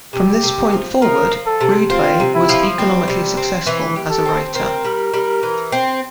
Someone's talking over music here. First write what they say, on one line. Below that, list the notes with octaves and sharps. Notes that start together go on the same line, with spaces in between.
From this point forward, Rydberg was economically successful as a writer.
C3 G4
C3
F3
F3 A#4
F3
A4
C3
C4 F4
C3
E4
F3
G3 C4
C3
C4
E3
G4
A4
C4
C4 A#4
G3
G3
E3
C4